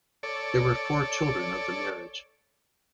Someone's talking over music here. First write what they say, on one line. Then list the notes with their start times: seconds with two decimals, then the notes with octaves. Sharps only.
There were four children of the marriage.
0.23 A4 C#5 D5